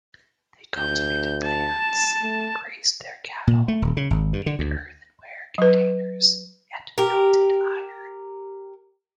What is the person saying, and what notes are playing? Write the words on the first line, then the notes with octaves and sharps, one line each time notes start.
They cultivated lands, grazed their cattle, made earthenware containers and melted iron.
D2 G6
A5
A3
A#2
A3
D#1
C#3
G#1
G2
D3
D2
F#3 B4
G4 A#4